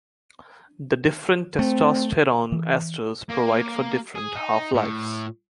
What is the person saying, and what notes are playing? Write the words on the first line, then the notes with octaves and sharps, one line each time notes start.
The different testosterone esters provide for different half lives.
A3 C4
E3
A#3
G#4
D#4
A2